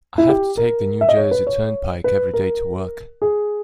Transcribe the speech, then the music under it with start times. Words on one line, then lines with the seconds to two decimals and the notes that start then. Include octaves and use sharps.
I have to take the New Jersey Turnpike every day to work.
0.18 E4
0.29 G4
0.57 A#4
1.01 E5
1.09 D#5
1.17 C#5
1.31 B4
1.47 C#5
2.04 B4
2.33 A#4
3.22 G#4